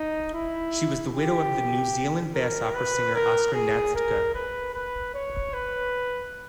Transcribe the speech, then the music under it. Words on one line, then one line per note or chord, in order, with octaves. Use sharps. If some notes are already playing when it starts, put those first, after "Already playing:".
She was the widow of the New Zealand bass opera singer Oscar Natzka.
Already playing: D#4
E4
G4
A#4
B4
A#4
G#4
A#4
B4
B4
C#5
B4